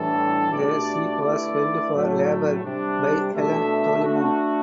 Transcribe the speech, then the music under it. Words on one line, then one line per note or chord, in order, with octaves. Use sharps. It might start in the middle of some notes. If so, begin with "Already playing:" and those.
The seat was held for Labour by Helen Dollimore.
Already playing: A2 E3 G3 D4 A4
B2 A3 D4 G4 D5
D3 A3 E4 B4 D5
A2 F#3 A3
C3 G3 D4
B2 A3 D4 A4 E5
A3 D4 F#4